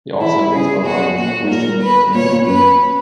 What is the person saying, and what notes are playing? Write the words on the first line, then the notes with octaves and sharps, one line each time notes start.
It also affects other islands of the Western Mediterranean.
E3 E4
B2
C#3 G#4
B2 F#4
A#2 F#4
G#2
A#2 A#4
B4
A#2 C#5
B2
A#2
F#2 B4